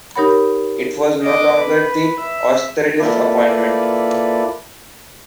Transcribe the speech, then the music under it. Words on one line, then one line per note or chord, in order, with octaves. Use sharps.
It was no longer the Austerlitz appointment.
D#4 G4 A#4 C#5 F#5 B5
D#5 D6
B4
E5
A#3 E4 F4 A4 B4 D5